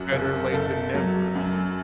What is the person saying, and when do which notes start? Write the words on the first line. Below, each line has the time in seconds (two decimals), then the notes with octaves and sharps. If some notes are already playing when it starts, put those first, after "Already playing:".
Better late than never.
Already playing: F#2 F#4
0.12 F#1
0.53 F#1 A4
0.94 F#3
1.35 F#2